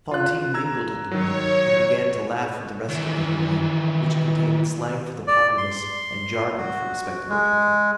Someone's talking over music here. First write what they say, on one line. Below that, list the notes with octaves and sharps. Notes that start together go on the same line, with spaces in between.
Fantine mingled in the group, and began to laugh with the rest at the harangue, which contained slang for the populace and jargon for respectable people.
F4 F#6
A#5 E6 G#6
D#3 F#3 C#5
D#3 E3
D5
C6
F#4
G#3